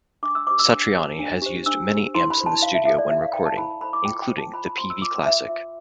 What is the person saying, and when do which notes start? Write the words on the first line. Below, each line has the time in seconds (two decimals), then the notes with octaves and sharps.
Satriani has used many amps in the studio when recording, including the Peavey Classic.
0.23 D4 D6
0.35 E6
0.47 G4 C5 D6
0.59 E6
0.71 D4
0.94 G4 C5
1.19 D4
1.42 G4 C5
1.66 D4 E6
1.90 G4 C5
2.15 E4 C6
2.30 B5
2.38 A4 C5
2.46 A5
2.62 E4 F5
2.74 E5
2.85 A4 C5 E5
2.98 D5
3.09 E4 E5
3.21 F5
3.33 A4 C5 G5
3.46 A5
3.57 E4 B5
3.81 A4 C5 B5
3.93 D6
4.05 F4 G5
4.22 G5
4.30 C5
4.38 A5
4.54 F4 B5
4.66 B5
4.78 C5 C6
4.90 E6
5.01 F4 D6
5.26 C5 E5
5.49 F4 E5